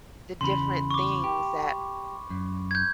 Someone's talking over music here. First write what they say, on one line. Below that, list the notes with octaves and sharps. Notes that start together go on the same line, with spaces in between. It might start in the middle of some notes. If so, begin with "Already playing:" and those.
the different things that
E2 C#3 B5 C6
C#6 D6
G4
F#2
G6 G#6